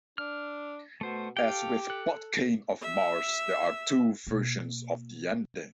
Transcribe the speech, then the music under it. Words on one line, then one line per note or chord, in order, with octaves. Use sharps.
As with "Podkayne of Mars", there are two versions of the ending.
D4 F6
B2 A3 C5
G4 A4 F5 G5
A4 F#6
E5
B2 A#3